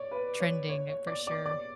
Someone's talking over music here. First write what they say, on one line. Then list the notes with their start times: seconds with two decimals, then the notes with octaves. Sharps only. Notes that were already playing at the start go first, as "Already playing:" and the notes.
trending, uh, for sure.
Already playing: C#5 D5
0.11 B4
0.40 C#5
0.69 C#5
0.89 C#5
1.07 D5
1.27 D5
1.46 D5